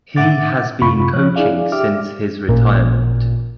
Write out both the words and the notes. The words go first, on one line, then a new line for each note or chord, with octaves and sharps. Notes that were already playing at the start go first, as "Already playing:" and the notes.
He has been coaching since his retirement.
A2 E5 F#5 D6 A6
F#2 C3 F4 B5 C#6
F3 C#5 F#6
D4 E4 G#4 D5 F5
G4 E5 D6 F6
A1 A#2